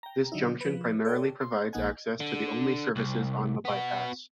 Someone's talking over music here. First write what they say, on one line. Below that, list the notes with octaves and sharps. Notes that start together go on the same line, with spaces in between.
This junction primarily provides access to the only services on the bypass.
G5 A#5
D3 F#3 D#4 E4
F3 B4
A4 C#5 D5 G5
C6
A#1 A#3 D#4 F#5 G#5
D3
C2
B3 F#4